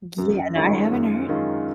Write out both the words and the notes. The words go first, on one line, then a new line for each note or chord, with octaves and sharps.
Yeah. No, I haven't heard
F#2
D#3 G#3 C#4 F4
F#2
D#3 G#3 C#4 F4